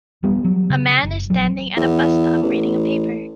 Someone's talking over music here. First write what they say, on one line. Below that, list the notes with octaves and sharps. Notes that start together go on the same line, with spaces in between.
A man is standing at a bus stop reading a paper.
D#1 G3 B3
F#3
C#3
F#1
A#1 F#3
E2
A1